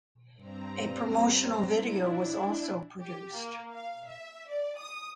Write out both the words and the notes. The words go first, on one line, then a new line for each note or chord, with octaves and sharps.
A promotional video was also produced.
G2 C4 A#5
D4 E4
G4
A#3
F5
E5
D5
D#6